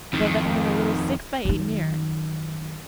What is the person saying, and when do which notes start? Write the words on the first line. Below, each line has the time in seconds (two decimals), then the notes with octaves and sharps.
Above it hung a little six-by-eight mirror.
0.13 F2 D#3
1.45 F#2 D#3